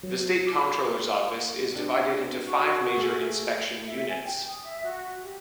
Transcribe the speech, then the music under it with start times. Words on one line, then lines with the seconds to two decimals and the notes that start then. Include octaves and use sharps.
The state comptroller's office is divided into five major inspection units.
0.03 F#3
0.47 D6
1.72 C4 D4
2.44 F#4
2.97 A3 G#4
3.87 E5
4.09 G#5
4.24 G5
4.49 D#6
4.65 E5
4.85 F#4
5.22 G4